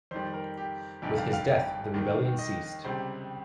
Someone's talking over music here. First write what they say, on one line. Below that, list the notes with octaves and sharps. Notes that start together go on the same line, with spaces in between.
With his death, the rebellion ceased.
F2 D#3 G3 C5
A#4
G4
G1 F2 C3 D#3 G3 G4
F5
F5
G5
D#2 D#3 G3
D#5
C#2 C3 G3 C5